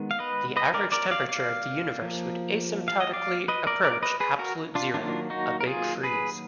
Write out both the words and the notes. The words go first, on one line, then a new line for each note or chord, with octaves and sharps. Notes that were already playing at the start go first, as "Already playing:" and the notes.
The average temperature of the universe would asymptotically approach absolute zero-a Big Freeze.
Already playing: D#3 G#3 B3
F5
B4 D#5
B4 D#5
A#4 D5
A#4 D5
D5 F5
D5 F5
F3 A#3
F5
D#5
D5 F5
B4 D#5
A#4 D5
A#4 D5
B4 D#5
G#4 B4
F#4 A#4
D4 F4
D#3 F#3 A#3 D4 F4
D#4 F#4
A#4
F4 G#4
G#4 B4